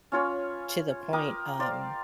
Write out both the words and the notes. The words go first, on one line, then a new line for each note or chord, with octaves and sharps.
to the point, um
C#4 F4 C#5 B5
A#4 G5 D6 D#6
C5 D5 F5